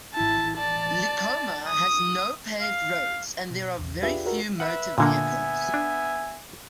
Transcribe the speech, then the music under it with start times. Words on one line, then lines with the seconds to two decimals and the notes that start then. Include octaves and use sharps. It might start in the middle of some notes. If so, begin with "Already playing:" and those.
Likoma has no paved roads, and there are very few motor vehicles.
0.14 E4 A5
0.57 D5 A5
1.69 D#6
2.61 F5
3.51 B2
3.78 A#1 E2
4.02 D4 F4 G4 G#4 B4 E5
4.26 F#4 G#4 A#4
4.60 B4 E5 F#5
4.98 A#2 D3 A#3 B3 E5 G#5
5.74 D4